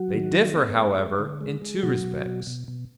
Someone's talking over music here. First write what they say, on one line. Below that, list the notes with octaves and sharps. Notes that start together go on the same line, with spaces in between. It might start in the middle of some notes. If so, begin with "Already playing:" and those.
They differ, however, in two respects.
Already playing: F#3 F#4
D#3
D#3
B3
G#3
G#3
D3
G#3
G#3
B2 F#3 F#4
B2
B2
B2
B2